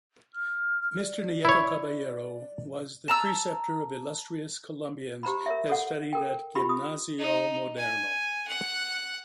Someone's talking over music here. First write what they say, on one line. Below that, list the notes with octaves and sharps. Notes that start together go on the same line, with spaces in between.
Mr. Nieto Caballero was the preceptor of illustrious Colombians that studied at Gimnasio Moderno.
F6
D5
E4 C#5
A5 A#5 E6
G4 C5 A#5 B5
A#4 C#5 E5
A4 C#5 F#5
A4 A#4 G5
E4 F4 G4 B5
D#6
D#4
G#5
F#5